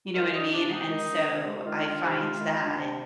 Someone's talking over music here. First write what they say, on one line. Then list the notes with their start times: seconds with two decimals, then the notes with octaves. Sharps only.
You know what I mean? And so, I find that,
0.15 D#3 F4
0.33 D4 D#4
0.52 C3 D4
0.70 G#3 D#4
0.89 D#3
1.09 D4
1.27 C3
1.46 G#3
1.65 D#3 F4
1.84 D4
2.02 C3
2.21 G#3
2.40 D#3
2.58 D4
2.78 C3